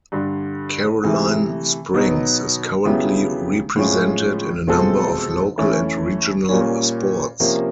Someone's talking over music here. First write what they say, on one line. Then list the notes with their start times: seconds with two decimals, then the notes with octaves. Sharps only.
Caroline Springs is currently represented in a number of local and regional sports.
0.12 G2 D3 G3
1.03 C3 E3 A3
1.94 B2 F#3 B3 D#4
2.85 C#3 F#3 B3 E4 G4
3.76 A2 F3 G#3 C#4 F4
4.67 B2 G#3 C4 F4 A4
5.58 E3 A3 C#4
6.49 A#2 G3 A#3 C#4
7.40 C3 F3 A#3 C#4